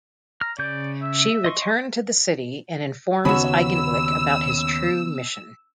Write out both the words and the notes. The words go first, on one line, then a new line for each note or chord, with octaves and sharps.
She return to the City and informs Eigenblick about his true mission.
A#5 F6
C#3 D5 G6
E5
D#5 C6 C#6
D#2 C#3 B3 C#4 F#4 B5 E6